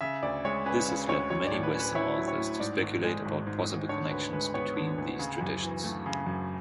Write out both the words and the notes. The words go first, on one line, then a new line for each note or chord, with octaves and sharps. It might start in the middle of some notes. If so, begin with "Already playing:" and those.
This has led many western authors to speculate about possible connections between these traditions.
C#3 E5
D2 D5
G#3 C#5
C#4 B4
C#3
D2 C#5
F#3 C#5
D5
A2
B4
C#4 B4
E4 C#5
F#3
C#5
A2
G#2 D5
G#1
G#3
G#1
G#2
G#1
D3 C#5
D2 B4
G#3 B4
B3 C#5
D3
D2
C#3
F#2
E3
A3
C#3
F#2